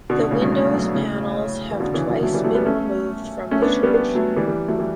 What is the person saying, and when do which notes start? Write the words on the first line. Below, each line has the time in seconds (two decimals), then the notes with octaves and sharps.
The windows panels have twice been removed from the church.
0.10 B2 D3
0.20 B2 D3
0.31 A2 C#3
0.42 G2 B2
0.52 G2
0.62 G2
0.74 F#2
0.84 G2
0.95 A2 C#3
1.71 E3
1.80 B2 D3
1.94 C#3 E3
2.09 D3 F#3
2.23 F#3 A3
2.34 E3 G3
2.44 F#3 A3
2.55 G3 B3
2.66 A3 C#4
3.51 A3 C#4
3.62 B3 D4
3.83 G3 B3
3.94 G3 B3
4.15 F#3 A3
4.37 E3 G3
4.48 E3 G3
4.68 F#3 A3
4.79 E3 G3